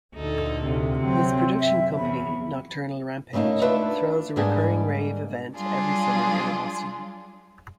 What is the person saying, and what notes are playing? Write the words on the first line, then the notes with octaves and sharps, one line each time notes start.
His production company "Nocturnal Rampage" throws a recurring rave event every summer in Austin.
D2 A#2 D#4 A4
C3
F#3 C4
F#2 E5
E2 B5
C#3 G3 A3 A#3 D#4
A3 D4 F4 B4 E5
G#2 G3 A#3 B3 D4 G#4
F#3 G3 D4 F4 G#4